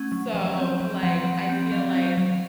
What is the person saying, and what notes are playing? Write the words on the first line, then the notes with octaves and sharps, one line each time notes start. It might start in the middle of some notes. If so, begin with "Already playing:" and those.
so, like, I feel like
Already playing: A3 C#4 F#5
F#3
F3
C4
C4
F3 F#5
F3 F#5
F#5
C4
F#3 F5
C4
F5
F#3